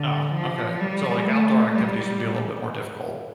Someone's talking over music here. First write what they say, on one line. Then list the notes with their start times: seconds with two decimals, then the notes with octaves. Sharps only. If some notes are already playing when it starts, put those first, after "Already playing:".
Oh, okay, so, like outdoor activities would be a little bit more difficult.
Already playing: D3
0.32 F3
0.80 G3
1.27 A3
1.75 G3